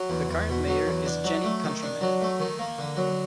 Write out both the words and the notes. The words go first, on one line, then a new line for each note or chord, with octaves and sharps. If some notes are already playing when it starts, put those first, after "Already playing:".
The current mayor is Jenny Countryman.
Already playing: F#3
E2
E2
B2
F#3
E2
D4
F#3
A3
D#3
D4
F#3
A3
D#3
A#3
D3
F#3